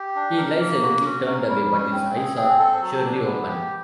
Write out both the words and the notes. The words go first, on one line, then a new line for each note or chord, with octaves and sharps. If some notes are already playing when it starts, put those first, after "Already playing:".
He lies a little turned away, but his eyes are surely open.
Already playing: G4
D4
A#4
A#3
F#4
C#4
A#4
G3
C#4
C4
G#4
C4
A4
F#3
D4
B3
G4